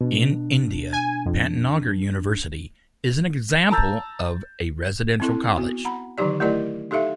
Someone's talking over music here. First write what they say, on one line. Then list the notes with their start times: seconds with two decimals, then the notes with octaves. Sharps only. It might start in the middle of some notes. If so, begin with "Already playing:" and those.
In India, Pantnagar University is an example of a residential college.
0.01 B2 D4
0.93 G#5
1.26 F2
3.71 A5 A#5 E6 G6 A6
5.20 C4 E4 A4
5.57 B3 F#4
5.85 F#5 A#5 B5
6.18 D3 D#3 F#3 D#4 G4 D5
6.40 A3 E4 G4 A#4 D5 D#5
6.91 D#4 G4 A4 E5 F5